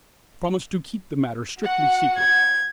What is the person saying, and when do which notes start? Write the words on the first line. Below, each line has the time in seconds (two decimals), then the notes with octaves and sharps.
Promise to keep the matter strictly secret.
1.61 F#4 F#5
2.17 G#6